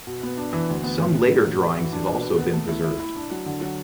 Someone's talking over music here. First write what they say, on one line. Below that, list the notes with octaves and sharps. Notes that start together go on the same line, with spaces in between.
Some later drawings have also been preserved.
B2
B3
D4
E3
D2
B3
A2
A2
F#3
F#3
F#4
E3
D4
B2
B4
B3
A3
E4
E4
E4
D4
F#3
D3
F#3